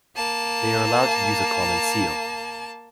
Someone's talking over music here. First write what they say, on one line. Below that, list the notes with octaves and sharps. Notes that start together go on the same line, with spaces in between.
They are allowed to use a common seal.
A#3 A5